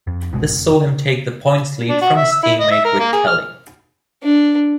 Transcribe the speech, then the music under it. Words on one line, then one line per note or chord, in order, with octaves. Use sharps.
This saw him take the points lead from his team mate Rick Kelly.
F2
D1 G#1 B2 G#3
F1
D4
F#4
E5
E6
E4
D#5
E5
A#4
A#3
G#4
F6
D4